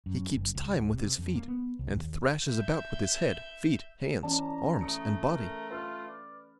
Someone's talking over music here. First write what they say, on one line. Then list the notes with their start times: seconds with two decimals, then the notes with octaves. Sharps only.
He keeps time with his feet, and thrashes about with his head, feet, hands, arms, and body.
0.06 F#2
0.35 F#1
0.55 C#2
0.71 D1
0.93 C3
1.18 F2
1.35 A#3
1.48 B3
1.79 C2
1.96 D#2
2.45 E5 G6
4.23 E3 C#4 D5 A5 A#5
4.81 A3 D#6 C#7
5.27 A#4
5.70 F4 B4 E6 F6
6.08 D5